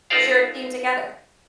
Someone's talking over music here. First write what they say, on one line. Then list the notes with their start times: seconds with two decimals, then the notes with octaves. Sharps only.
'cause you're a team together.
0.10 D#4 F4 A4 C5 D5 F5